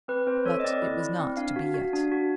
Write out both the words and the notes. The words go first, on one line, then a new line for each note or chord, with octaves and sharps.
But it was not to be yet.
C4 B4
C4 C5
A4 C#5
D#5
C4 D5
E4
E4
C4
D4 F5
F#4
F#4
D4
F#4